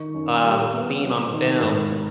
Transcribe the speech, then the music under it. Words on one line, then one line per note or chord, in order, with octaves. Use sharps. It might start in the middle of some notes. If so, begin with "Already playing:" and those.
um, seen on films.
Already playing: D#3 C#6
F#2
G3
B3
F#3
D#3
G#2